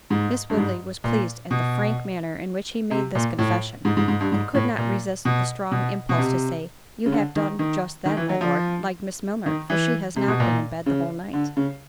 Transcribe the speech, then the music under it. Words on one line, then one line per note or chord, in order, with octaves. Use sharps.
Miss Woodley was pleased at the frank manner in which he made this confession, and could not resist the strong impulse to say, "You have done just then, my Lord, like Miss Milner, for she has not been in bed the whole night."
G#2
G2
G#2
A#2
B2
C3
A#2
A2
G#2
G#2
G#2
G2
G#2
A2
A#2
B2
B2
B2
C3
C#3
D3
D#3
D#3
D#3
E3
F#3
F3
D#3
E3
C3
B2
A#2
C#3
D3
C#3